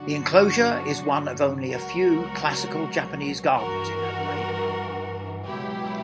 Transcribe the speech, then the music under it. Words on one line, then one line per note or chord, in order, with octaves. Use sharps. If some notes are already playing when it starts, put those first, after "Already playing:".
The enclosure is one of only a few classical Japanese gardens in Adelaide.
Already playing: G2 D3 F#3 D4 F#4
C#2 B2 F#3 F#4 A#4
G2 E3 F#4 A#4
C#2 B2 F#3 E4 G4